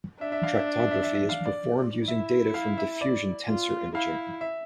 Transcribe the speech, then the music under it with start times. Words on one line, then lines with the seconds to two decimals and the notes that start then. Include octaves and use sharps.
Tractography is performed using data from diffusion tensor imaging.
0.21 D4 E5
0.32 E5
0.43 F5
0.55 E5
0.79 E5
0.91 E5
1.03 E5
1.14 E5
1.29 F5
1.46 D5
2.08 E4 E5
2.54 F5
2.77 E5
3.01 D5
3.48 F4
3.95 E4 F5
4.41 E5